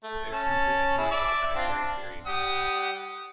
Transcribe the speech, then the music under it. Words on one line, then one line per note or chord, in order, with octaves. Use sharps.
They are simply adherents of a dietary theory.
A3
C#4 A5
E4 G#4
D5 E5
C4 D4 F4
D4
G3 G4 F#5 D#6